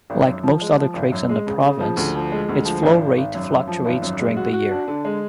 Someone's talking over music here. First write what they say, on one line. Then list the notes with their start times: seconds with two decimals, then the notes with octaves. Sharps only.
Like most other creeks in the province its flow rate fluctuates during the year.
0.10 G#1
0.27 F#2
0.43 F3
0.61 G#3
0.78 F3
0.95 G#1
1.12 F#2
1.29 G#3
1.47 C#3
1.64 C#3
1.81 F3
1.97 D2
2.15 F3
2.32 G#3
2.49 D2
2.65 F3
2.83 G#1
3.00 G#1
3.17 G#1
3.35 F#2
3.51 F#2
3.68 F3
3.85 G#1
4.02 F#2
4.19 G#3
4.37 F#4
4.53 F#4
4.71 D4
4.88 D3
5.05 G#3